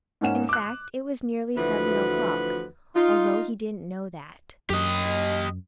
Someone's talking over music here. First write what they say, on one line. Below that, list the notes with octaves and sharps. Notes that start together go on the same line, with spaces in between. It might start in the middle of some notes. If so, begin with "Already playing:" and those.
In fact, it was nearly seven o'clock, although he didn't know that.
G#2 A#3 C#4 F#5 E7
D6 F#6
D2 E3 F3 F#4 B4
D#4 F4
F#2 G4 D#5